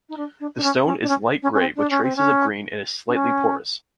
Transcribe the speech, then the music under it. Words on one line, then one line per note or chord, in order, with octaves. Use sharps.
The stone is light grey with traces of green and is slightly porous.
D#4
D4
D4
D4
C#4
C#4
D4
C#4
C#4
C#4
C4
D4
C#4
C4
C#4
D4
C#4